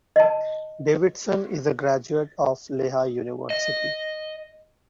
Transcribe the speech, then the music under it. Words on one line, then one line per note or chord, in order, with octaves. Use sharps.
Davidson is a graduate of Lehigh University.
D#5 A5
D#5